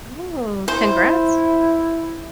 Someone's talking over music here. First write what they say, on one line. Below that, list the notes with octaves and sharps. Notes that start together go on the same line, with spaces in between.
Ooh, congrats.
E4 C5